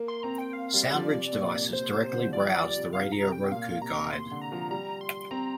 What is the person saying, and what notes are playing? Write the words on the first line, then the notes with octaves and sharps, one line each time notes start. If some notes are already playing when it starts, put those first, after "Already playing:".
SoundBridge devices directly browse the Radio Roku guide.
Already playing: A#3
C6
C4 A#5
G5
F5
G3
D5
F3
C3
A#2
C3
C3 C5
C3
D3
F3 D5
F3
G3
C3
C3 F5
A#5
C3
G5
A#2 F5
C3 A#5
C3 C6
D3
A#5
F3
G3 A#5
C6
C4 A#5